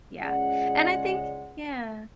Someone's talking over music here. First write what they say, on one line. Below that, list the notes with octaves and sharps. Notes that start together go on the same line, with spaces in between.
Yeah. And I think Yeah.
C#2 G#3 D5 F#5